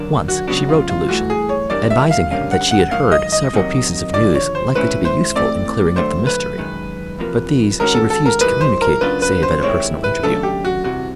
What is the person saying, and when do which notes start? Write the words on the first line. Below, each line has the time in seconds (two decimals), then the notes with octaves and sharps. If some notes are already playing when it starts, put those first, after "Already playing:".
Once she wrote to Lucian, advising him that she had heard several pieces of news likely to be useful in clearing up the mystery; but these she refused to communicate save at a personal interview.
Already playing: D#2 D3 F#3 A#3 D4
0.28 F#4
0.48 C#2 C#3 F#3 B3 D4 F#4
0.69 F4
0.89 F4
1.09 G2 E3 A3 F#4
1.30 G#4
1.49 C#5
1.70 E3 G3 A#3 D4 D5
1.90 E5
2.11 F5
2.31 D3 G3 A#3 C#4 F5
2.51 F#5
2.71 F#5
2.91 G#2 D#3 F#3 A#3 F5
3.12 D#5
3.32 D#5
3.53 C3 D#3 F#3 A#3
4.13 D#2 D3 F3 D5
4.35 C#5
4.55 C5
4.75 G#2 D#3 G#3 C#4 E4 B4
5.05 C5
5.36 E3 A3 C4 D5
5.96 D#2 D3 F#3 A3 C5
6.27 B4
6.58 F#2 D#3 G#3
7.19 E2 C3 F3 A#3
7.80 D#3 G#3 C#4 F#4 A#4
7.94 A4
8.10 A4
8.26 A#4
8.41 E3 G3 A#3 D#4 B4
8.61 C5
8.81 A#4
9.01 C#3 F#3 A#3 D4 F4 B4
9.22 B4
9.43 C5
9.62 C3 D#3 G#3 C4 E4 C#5
10.04 B4
10.23 D#2 C#3 F#3 A3 D4 A4
10.43 G4
10.65 F#4
10.84 C2 C3 E3 F#4